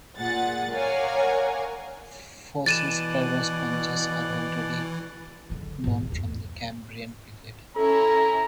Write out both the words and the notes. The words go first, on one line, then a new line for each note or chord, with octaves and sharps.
Fossil sclerosponges are already known from the Cambrian period.
A#2 G#4 F#5 A6
A#4 C#5 D5 F5 F#5 G#5
B2 E3 D5 F#6 A6 D#7 E7
F#1 D3
G#2 E3
E2 G2
C#4 E4 A4 A#5